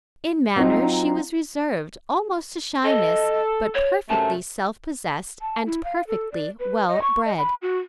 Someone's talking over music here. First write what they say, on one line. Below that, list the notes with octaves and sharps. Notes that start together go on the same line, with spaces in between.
In manner she was reserved almost to shyness, but perfectly self-possessed, and perfectly well-bred.
F#3 C4 C#4 D#4 F4
A4 D#5
C#5
F#2 C3 A3 A5
A5
E4
F5
A4
D5
B4
D#5
C#6
D#5
B5
F#4